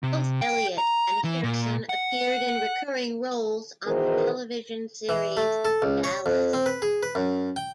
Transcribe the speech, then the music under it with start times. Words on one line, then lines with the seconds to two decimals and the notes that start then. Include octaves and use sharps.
Both Elliott and Hirson appeared in recurring roles on the television series "Dallas".
0.03 C3
0.41 G5
0.78 A#5
1.24 E3
1.44 A#2
1.89 F#5
3.86 B2 D#3 E3 G#4 A#4 C5
5.09 E3
5.37 A3
5.65 A4
5.82 C#2
6.04 C#5
6.26 F2
6.53 C4
6.66 B4
6.82 G#4
7.03 B4
7.15 F#2
7.56 G5